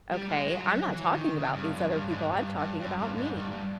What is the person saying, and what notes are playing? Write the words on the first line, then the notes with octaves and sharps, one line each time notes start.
okay. I'm not talking about these other people. I'm talking about me.
G3
G#3
F#3
F#3
E3
D#3
C#3
G2
F#2
G2
G#2
G2
G2
F#2
G2
G#2
G2
G2